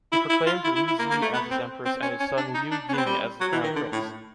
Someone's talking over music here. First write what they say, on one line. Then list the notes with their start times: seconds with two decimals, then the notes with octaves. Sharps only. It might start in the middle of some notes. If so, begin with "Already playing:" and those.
He proclaimed Lü Zhi as his empress and his son Liu Ying as the crown prince.
0.13 E4
0.30 E4
0.47 F4
0.64 E4
0.76 E4
0.88 E4
0.99 A#3
1.11 A#3
1.22 A3
1.34 B3
1.51 C4
1.85 C4
2.02 C#4
2.20 C#4
2.37 D4
2.54 D#4
2.71 D4
2.89 C#4
2.93 B3
2.98 C4
3.06 G3
3.41 F#3
3.53 E3
3.64 D#3
3.76 D3
3.92 A2